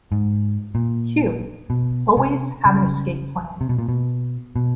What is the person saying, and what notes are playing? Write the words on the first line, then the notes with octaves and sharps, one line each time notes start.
"Q: "Always have an escape plan.
G#2
A#2
B2
C3
C#3
C3
B2
A#2
B2
B2